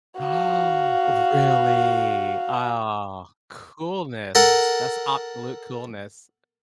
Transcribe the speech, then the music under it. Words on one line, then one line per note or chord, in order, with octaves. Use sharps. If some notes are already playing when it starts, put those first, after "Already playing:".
Ah, oh, really? Ah, coolness. That's absolute coolness,
F#4 F5
A4 A#4 F#5